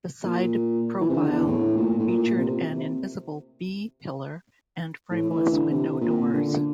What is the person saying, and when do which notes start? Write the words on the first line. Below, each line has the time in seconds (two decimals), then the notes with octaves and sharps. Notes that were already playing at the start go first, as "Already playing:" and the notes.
The side profile featured an invisible B-pillar and frameless-window doors.
0.25 A#2
1.01 E3
1.10 C3
1.16 D3
1.31 E2
1.47 A2
1.77 A#2
1.99 A2
2.07 A#2
2.38 C3
5.11 A2
5.30 E3
5.52 D3
5.71 C3
6.01 A#2
6.33 D3